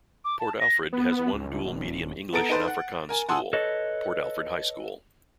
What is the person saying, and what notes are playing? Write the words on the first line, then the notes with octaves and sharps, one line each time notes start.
Port Alfred has one dual medium English and Afrikaans school, Port Alfred High School.
D6
A5
A#6
B3
C#2
D#1
B3 A4 A#5 A6 D7
D#4 A4 B4 C5
F#5
A#4 G#5
F#5 G#5 A5 C6 D#6 E6
A4 B4 C#5 D#5